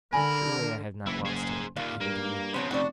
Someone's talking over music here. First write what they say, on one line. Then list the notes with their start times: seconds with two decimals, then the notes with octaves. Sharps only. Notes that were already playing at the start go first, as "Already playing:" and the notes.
'Surely, I have not lost it,' added he.
0.13 D3 A#4 G#5 B5
1.06 F#1 E3 E4
1.25 G#4 C5
1.76 D#2 A#2 F5
2.00 G2 A#3
2.54 C#3 F3 B3 C4 C#5
2.71 F1 D4 F#4